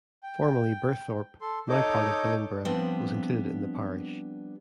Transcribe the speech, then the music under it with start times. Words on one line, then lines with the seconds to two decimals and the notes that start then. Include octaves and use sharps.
Formerly, Birthorpe, now part of Billingborough, was included in the parish.
0.23 G5
1.41 A4 C6
1.69 D#4 A4 C#5 D#5 D6 G6
2.65 F3 G3 B3 C4 D4